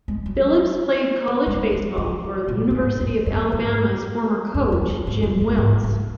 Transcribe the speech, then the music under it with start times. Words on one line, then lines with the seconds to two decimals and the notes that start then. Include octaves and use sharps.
Phillips played college baseball for the University of Alabama's former coach, Jim Wells.
0.08 G#3
0.26 F#3
1.47 G#3
1.72 F#3
1.98 D#3
2.48 A#2
2.70 A#2
2.74 G#2
3.00 F2
3.26 F#2
3.52 G#2
4.54 F#2
4.72 F2
4.90 F#2
5.07 G#2
5.23 F2
5.41 F#2
5.58 G#2
5.84 G#2